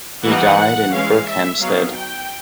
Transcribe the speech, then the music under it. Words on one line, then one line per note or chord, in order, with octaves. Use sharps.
He died in Berkhamsted.
E3 G3 A#3 D#4 F#5
E3 G#3 C#4 F5
E5
F#3 B3 D#4 F5
G5